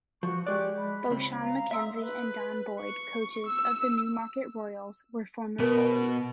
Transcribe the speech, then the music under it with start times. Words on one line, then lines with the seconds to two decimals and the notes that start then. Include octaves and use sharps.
Both Shawn Mackenzie and Don Boyd, coaches of the Newmarket Royals were former goalies.
0.23 F3 F#4 C#6
0.47 G#3 G4 D5 F#6
0.78 B5
1.10 C#2 C4
1.42 F5 A#5
1.71 E5 C6 D#6 E6
2.04 B4
2.80 C#6
3.46 E6
5.60 B2 A#4 B4